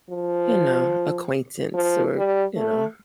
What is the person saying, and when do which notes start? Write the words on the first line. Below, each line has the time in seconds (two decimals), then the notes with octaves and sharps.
you know, acquaintance or, you know.
0.10 F3
1.74 F3
2.15 G3
2.56 A3